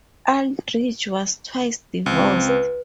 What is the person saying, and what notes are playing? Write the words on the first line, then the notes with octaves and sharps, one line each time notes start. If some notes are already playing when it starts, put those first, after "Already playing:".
Aldridge was twice divorced.
C#2 C4
B4